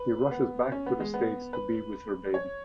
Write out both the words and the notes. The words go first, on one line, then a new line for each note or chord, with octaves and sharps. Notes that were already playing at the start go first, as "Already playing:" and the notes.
She rushes back to the states to be with her baby.
Already playing: B4
B3
C#4
B3
G#3
B3
B4
C#5